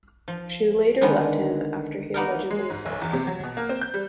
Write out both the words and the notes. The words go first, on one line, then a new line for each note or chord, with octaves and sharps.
She later left him after he allegedly assaulted her.
F3
D3 D#3 G#3 B3
A#3 B3 D#4 A#4
G#3
G#2
B1
E2
C3
F#3
B2
A#3
C4
G6
G3